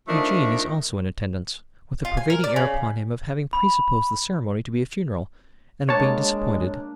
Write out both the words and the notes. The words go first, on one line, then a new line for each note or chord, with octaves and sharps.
Eugene is also in attendance, with a pervading air upon him of having presupposed the ceremony to be a funeral, and of being disappointed.
F3 A3 D4 D#4 A#4
F4
G#5
A#4
D5
C#3
B5
G#3 A#3 D4 C#5 A5